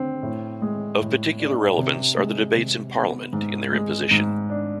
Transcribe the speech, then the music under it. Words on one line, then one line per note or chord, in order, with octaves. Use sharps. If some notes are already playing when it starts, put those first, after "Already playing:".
Of particular relevance are the debates in Parliament in their imposition.
Already playing: D3 C4
A2
G#3
A2
D4
C3
G#3
C3
B3
G#2
G#3
G#2
D4